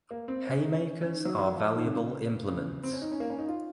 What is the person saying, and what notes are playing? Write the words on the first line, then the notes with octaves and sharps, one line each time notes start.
Haymakers are valuable implements.
A#3
C4
C#4
D#4
C#4
C#4
D#3
F#3
F#3
F3
D#3
C3
C#3
C#3
C4
C#4
D#4
C#4
A#3
C#4
D#4
F4